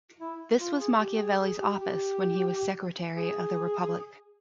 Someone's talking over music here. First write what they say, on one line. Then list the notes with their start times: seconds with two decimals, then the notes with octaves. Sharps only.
This was Machiavelli's office when he was Secretary of the Republic.
0.19 E4
0.58 F4
0.79 G#4
0.98 G4
1.17 G#4
1.38 G#4
1.58 G4
1.77 G4
3.16 G#4